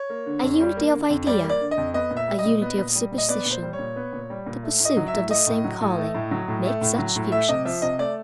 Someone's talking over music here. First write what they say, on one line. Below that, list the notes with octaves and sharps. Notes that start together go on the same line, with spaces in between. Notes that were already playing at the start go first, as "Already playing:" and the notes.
A unity of idea, a unity of superstition, the pursuit of the same calling, make such fusions.
Already playing: C#5
A#3
D3
F2
G3
A#3
D3
F2
G3 D5
A#3
D5
D3
D#5
F2
B3 D#5
A#2
E5
G3
D#5
A#2
B3
A#2
G3
A#2
D#5
B3 D5
A#2
C5
G3
C#5
A#2
B3
A#2
G3
A#2
A3
A2
D#5
F#3
E5
A2
A3 D#5
A2
F#3
A2
A3
A2
F#3
A2
A3
A2
F#3
A2
A3 E5
C3 D#5
F3 E5
C3 D#5
A3 D5